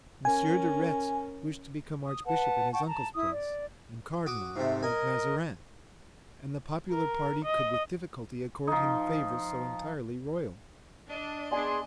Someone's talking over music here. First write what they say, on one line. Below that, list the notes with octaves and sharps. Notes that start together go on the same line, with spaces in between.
Monsieur de Retz wished to become archbishop in his uncle's place, and cardinal, like Mazarin; and the popular party could with difficulty accord him favors so entirely royal.
C#4 A#4 G#5
D#6
B4 F#5 A5
F#5 G5 A5 C#6
A5 A#5
E4 D#6
D5
F#4 D6 D#6
G#2 C3 A3
A#4 D#5 G#5
A#4
D#5
F3 D#4
D4 D#5
B3 D4 G#4 D5 G#5 C6